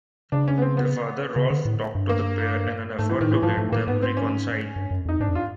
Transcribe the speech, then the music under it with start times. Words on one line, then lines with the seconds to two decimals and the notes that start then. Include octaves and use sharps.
Their father, Rolf talked to the pair in an effort to get them reconciled.
0.32 C#3 D4
0.48 C#4
0.58 B3
0.62 C4
0.77 B3
1.36 C#3
1.50 D3
1.65 A2
1.95 G2
2.09 A#3
2.98 G#2 A3
3.09 E3
3.21 A2 D#3
3.32 E3
3.43 G#2 F3
3.57 G#2 A3
3.72 A2 A#3
3.87 G#2 B3
4.02 C4
4.17 C#4
4.76 G2
4.91 F#2
5.06 F2 D#4
5.20 G#2 D4
5.29 F2
5.35 F4